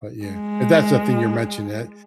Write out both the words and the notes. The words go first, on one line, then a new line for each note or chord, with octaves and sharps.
but, yeah. If that's a thing you're mentioning, that
G#3